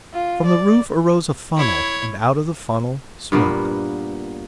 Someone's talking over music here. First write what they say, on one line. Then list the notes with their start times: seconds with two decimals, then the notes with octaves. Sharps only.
From the roof arose a funnel, and out of the funnel smoke.
0.13 F4
0.47 D5
1.57 E4 C#5
3.32 G2 A#2 A#3 B3